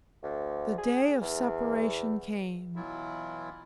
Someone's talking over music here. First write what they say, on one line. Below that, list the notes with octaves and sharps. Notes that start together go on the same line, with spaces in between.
The day of separation came.
D2
G#4
E2
B2 E3 F#3 E4 F4